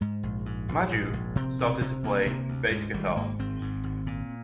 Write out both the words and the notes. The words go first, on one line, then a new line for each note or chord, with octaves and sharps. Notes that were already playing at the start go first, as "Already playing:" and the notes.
"Maju" started to play "bass guitar".
G#2 G#3
A#1
G#2
A#1
G#2
A#1
C3 C4
D2
C3
D2 A#3
C3
D2
G#2 G#3
G#1 G3
G#2 A#3
G#1 C4
G#2
G#1
A#2